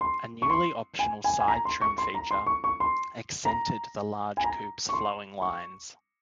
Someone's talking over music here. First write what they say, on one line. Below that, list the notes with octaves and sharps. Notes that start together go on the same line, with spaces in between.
A newly optional side trim feature accented the large coupe's flowing lines.
C6
C#6
C6
G#5
G#5
G#5
A#5
C6
C#6
C6
A#5
C6
C#6
C#6
C6
A#5
G#5
A#5
C#6
C6
C#6